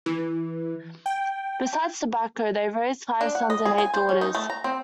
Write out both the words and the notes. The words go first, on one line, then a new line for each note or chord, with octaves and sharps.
Besides tobacco, they raised five sons and eight daughters.
E3
G5
D4
F#5
D#5
G#4
G#5
C5
C#4
D#4
A3
A#5
C4